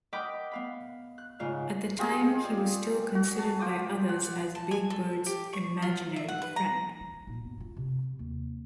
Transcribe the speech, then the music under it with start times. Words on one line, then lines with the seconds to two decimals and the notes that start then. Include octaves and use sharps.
At the time he was still considered by others as Big Bird's "imaginary" friend.
0.13 A#4 D#5 F#5 G5 B5 D6
0.51 B3 F5 B5
1.18 F#6
1.39 G#2 C#3 F4 F5 F6
1.99 F4 G4 G#4 D#5
2.45 D5
3.15 F#4
3.39 A5
3.59 F4 G5 D6 D#6
4.09 F#5
4.55 A5
4.71 G#5
4.90 A4
5.26 G4
5.53 C#6
5.82 F4
6.16 E5
6.29 F#5
6.42 B4
6.56 A#5
7.01 E3
7.27 A#2 D#4
7.44 F#2 B3
7.58 E4 F4
7.77 C3
8.19 D#2 C3